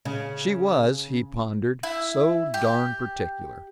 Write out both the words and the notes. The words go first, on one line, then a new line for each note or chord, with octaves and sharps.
She was, he pondered, so darn particular.
C#3
E4
G4